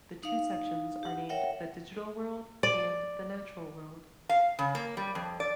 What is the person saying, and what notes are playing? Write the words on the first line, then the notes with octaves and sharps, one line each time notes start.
The two sections are named "The Digital World" and "The Natural World".
D#4 F5
G4 F#5
A#4 C#5 E5 F#5 G5
D5
F5
C#3
A#3
G3
F2
D5